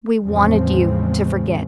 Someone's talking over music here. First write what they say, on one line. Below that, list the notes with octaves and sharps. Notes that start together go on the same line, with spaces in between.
"We wanted you to forget."
E2 A2 C#3 F3 G#3 C4